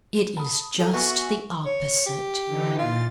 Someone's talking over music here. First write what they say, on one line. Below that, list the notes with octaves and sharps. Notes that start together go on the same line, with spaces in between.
It is just the opposite.
A5 B5 D#6
E2 A4 D#5
B3 F#4 E5 G#5 C#6
C#5
G4
D3 E3 D#4
A#2 F4 A6